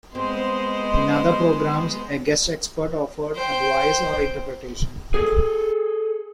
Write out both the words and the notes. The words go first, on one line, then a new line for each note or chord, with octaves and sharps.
In other programs, a guest expert offered advice or interpretation.
G#3 B3 C4 C5 D#5 C6
C5 G5
G#4 A4